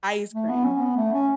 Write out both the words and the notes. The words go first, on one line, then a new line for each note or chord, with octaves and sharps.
Ice cream.
A3
B3
C#4
B3
A3
C#4